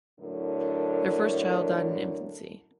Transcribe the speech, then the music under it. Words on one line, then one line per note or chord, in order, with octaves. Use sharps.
Their first child died in infancy.
F#2 A2 D3 A4 A#4